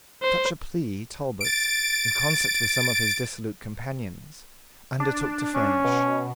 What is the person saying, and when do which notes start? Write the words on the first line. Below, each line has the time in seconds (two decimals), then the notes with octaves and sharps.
Such a plea Talbot, in concert with some of his dissolute companions, undertook to furnish.
0.23 C5
1.41 A6 D7
5.00 D4
5.55 C#4
5.84 B2